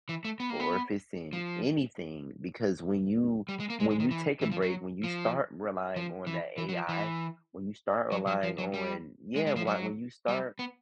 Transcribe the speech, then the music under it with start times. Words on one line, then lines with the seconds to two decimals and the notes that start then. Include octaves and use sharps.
or if it's in anything. Because when you when you take a break, when you start relying on that AI, when you start relying on Yeah, why When you start
0.09 E3
0.25 A3
0.40 B3
0.50 A#3
0.60 B3
1.33 F3
3.49 G3
3.60 G#3
3.70 A#3
3.80 G#3
3.91 G#3
4.00 D#3
4.11 E3
4.41 E3
4.52 F3
4.62 F#3
5.04 F3
5.96 F3
6.27 E3
6.58 E3
6.69 F#3
6.73 F3
6.89 E3
8.12 F#3
8.27 F#3
8.43 F3
8.58 F#3
8.74 G3
9.36 G#3
9.47 G#3
9.56 F3
9.67 F#3
10.28 G3
10.59 B3